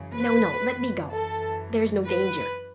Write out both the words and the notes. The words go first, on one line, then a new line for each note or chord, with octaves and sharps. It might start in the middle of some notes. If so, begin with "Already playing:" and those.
"No, no, let me go, there's no danger."
Already playing: F#2 C#3 E3
B4
F#2 E3
A4
B4